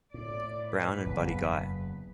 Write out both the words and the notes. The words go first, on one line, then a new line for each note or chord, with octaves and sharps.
Brown and Buddy Guy.
A2 D5
E2 B4
F#1